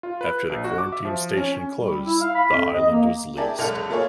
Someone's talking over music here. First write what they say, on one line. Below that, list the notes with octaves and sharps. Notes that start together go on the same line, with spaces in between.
After the quarantine station closed the island was leased.
F4
B4
A#1
F#4
D6
E5
F3
C#4
C#4
G3
E4
F5
B5
F2
D#5
A#3
E4 G4 G#4 A#4 D5 A5
F#1 C2 G#3 A4 F6 F7
A3 A#3 F4 G#4 C#5